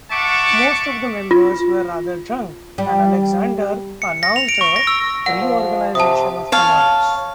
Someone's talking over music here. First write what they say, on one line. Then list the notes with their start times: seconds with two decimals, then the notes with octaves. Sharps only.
Most of the members were rather drunk, and Alexander announced a reorganization of commands.
0.11 E5 F#5 A5 C#6 D6
1.31 F4
2.78 G3
4.02 C#7
4.23 A#6
4.36 F7
4.49 D7
4.61 C#6
4.76 A#6
4.87 E6
5.26 A#2 F#5
5.41 F3
5.95 C3 A5 D#6
6.52 C#5 F5 A5